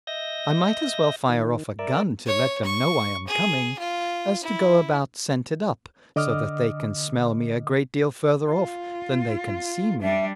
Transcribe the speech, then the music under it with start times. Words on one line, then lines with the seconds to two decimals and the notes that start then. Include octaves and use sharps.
I might as well fire off a gun to let them know I am coming, as to go about scented up so that they can smell me a great deal farther off than they can see me.
0.07 D#5 E5 G6 A#6
1.29 D#3
1.79 A#4 D5 E5
2.26 C#5
2.64 C#6
3.28 G#4
3.79 F4
4.43 E4
6.16 D3 D#5 D6 D#6 F6
8.49 F4
10.02 G3 D4 E5